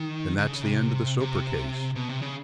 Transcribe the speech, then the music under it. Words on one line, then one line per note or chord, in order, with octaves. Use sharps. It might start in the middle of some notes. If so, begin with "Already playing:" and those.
Then that's the end of the Soper case.
Already playing: D#3
D3
C#3
C3
C3
B2
C3
C#3